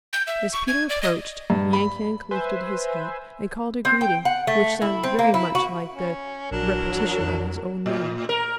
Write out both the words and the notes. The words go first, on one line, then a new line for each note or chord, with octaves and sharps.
As Peter approached, Yank-Yank lifted his head and called a greeting which sounded very much like the repetition of his own name.
G6
E5
C#6
G#6
D5
D#5
G2
B5
B4 C5 E5 G#5
C4
G5
F#5
A3
E4
C4
A#3
E4
F#4
C#4
A#1 E3 F#3 D4 A#4
F2
A2
A#4